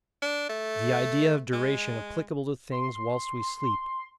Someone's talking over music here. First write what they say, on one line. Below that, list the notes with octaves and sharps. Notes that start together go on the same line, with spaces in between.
The Idea of Duration applicable to Things whilst we sleep.
D4
A3
G#3
C6